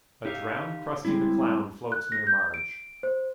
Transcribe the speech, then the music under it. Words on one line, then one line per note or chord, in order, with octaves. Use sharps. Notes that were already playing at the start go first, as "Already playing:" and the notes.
A drowned Krusty the Clown floats near Marge.
D#4 G4 E5 F5
G3 G#3 C4 E4
F#6
A#6
G6
D7
C5